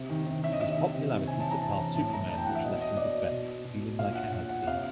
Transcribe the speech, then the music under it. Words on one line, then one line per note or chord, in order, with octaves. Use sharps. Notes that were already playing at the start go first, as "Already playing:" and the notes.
His popularity surpassed Superman which left him depressed, feeling like a has-been.
Already playing: C3
D#3
C3
D#3 E5
D#5
C3 E5
D#3
C3
D#3
C3 G#5
E3 A5
A#5
C3 A5
E3
A2 A5
E3 A#5
A2 A5
G5
E3 F#5
E5
B2 D#5
D#5
B2 D5
B2
B2
A#2 F5
F#5
A#2 F#5
F#5
C3 F5